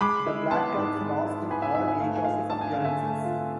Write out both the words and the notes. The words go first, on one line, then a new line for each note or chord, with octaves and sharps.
The Black Cats lost in all eight of his appearances.
G#3 B5 D6
E4
B3 A5 C6
G#2
G#3
E4
B3 G#5 B5
E5 G#5
G#2 E5
E5 G#5
A3 F5
G#5
F4 F5
D4 A5
G#5
D3 F5
E5 G#5
A3
F4